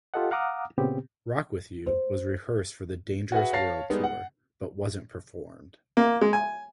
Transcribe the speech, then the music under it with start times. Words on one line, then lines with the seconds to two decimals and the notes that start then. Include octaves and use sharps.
"Rock with You" was rehearsed for the Dangerous World Tour, but wasn't performed.
0.14 F4 G4 A4 D#5 F#5
0.31 F5 F#5 A#5 D6 D#6 F6
0.78 A#2 C#3 B3 C4 G4
1.86 C5
3.32 F#4 G#4 B4 E5 F#5
3.53 C#5 F5 A5 A6 A#6 C7
3.90 G3 G#3 B3 D#4
4.04 F#5
5.97 A#3
6.21 G#3
6.33 G#5